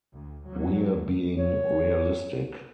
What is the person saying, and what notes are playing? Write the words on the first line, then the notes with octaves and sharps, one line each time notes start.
We're being realistic.
D2
F#3
C#5